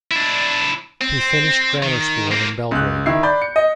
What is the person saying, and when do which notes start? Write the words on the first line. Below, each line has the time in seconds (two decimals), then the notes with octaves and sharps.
He finished grammar school in Belgrade.
0.11 D4 E4
1.01 C4
1.83 D#3
2.31 A#3 C4
2.71 C#2 F#6
3.06 D#3 E4 C7
3.23 D5 B5 G6
3.42 C#7
3.56 D#5